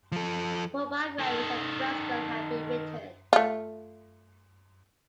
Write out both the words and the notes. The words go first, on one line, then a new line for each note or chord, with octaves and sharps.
Four biographies of Prescott have been written.
F3 A4
D#3 A4
A3 F4